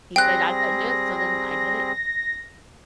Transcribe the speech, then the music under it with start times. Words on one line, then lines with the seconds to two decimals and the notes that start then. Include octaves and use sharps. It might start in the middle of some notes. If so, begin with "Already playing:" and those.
He said I couldn't do it, so then I did it.
0.16 G3 C4 G#4 G5 F#6 A#6